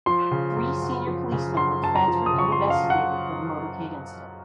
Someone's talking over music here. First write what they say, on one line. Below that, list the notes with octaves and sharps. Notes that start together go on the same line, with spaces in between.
Three senior policemen were transferred and investigated for the motorcade incident.
F3 C6
C#3
F#2
F#2
F3
C#3
F#2 C6
F#2 A5
A#5
F3
D#6
C#3
C#6
C6
F#2
F5
F#2
F#5